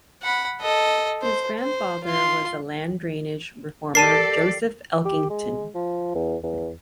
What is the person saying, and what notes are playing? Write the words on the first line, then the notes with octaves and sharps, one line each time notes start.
His grandfather was the land drainage reformer Joseph Elkington.
F#5 B5
A4 D#5
C5
C5
F4 C6
G4 A4 A#4 D5 A5 C7 D#7
G4
G#3
F3
E2
E2